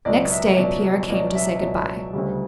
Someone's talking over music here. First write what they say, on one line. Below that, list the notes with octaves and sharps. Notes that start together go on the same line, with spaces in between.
Next day Pierre came to say good-by.
C#2 B2 F#3 D5
E5
C#2 B2 F#3 D5
C#2 B2 F#3 D5
E5
C#2 B2 F#3
D2 C#3 G3